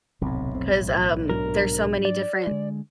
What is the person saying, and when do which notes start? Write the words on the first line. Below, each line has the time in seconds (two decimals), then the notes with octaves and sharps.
'cause, um, there's so many different
0.21 D1 B1 A2 C3 C4
0.55 F1 C4
0.81 A1
1.30 G#2 F#3 D4 A#4
2.05 D5
2.47 D3 G#3